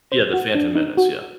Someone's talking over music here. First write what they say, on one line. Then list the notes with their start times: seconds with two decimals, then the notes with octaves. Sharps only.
Yeah, The Phantom Menace, yeah.
0.12 C5
0.34 F#4
0.55 D4
0.75 D#4
0.97 F#4